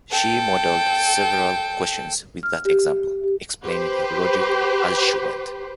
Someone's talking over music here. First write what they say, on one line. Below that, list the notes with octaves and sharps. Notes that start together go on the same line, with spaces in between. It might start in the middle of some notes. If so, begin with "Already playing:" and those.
She modeled several questions with that example, explaining her logic as she went.
A4 G5
F6
G4
G4
G4 B4 C5